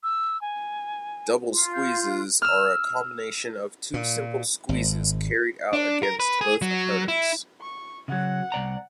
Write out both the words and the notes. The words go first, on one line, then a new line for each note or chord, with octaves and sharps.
Double squeezes are a combination of two simple squeezes carried out against both opponents.
E6
G#5
F4
G6
E6 F6
A#2
G#1
D4
A#4
B4
G#4
F#3
E4
C#6
C#3 F#3 F#5
C2 D5 A#5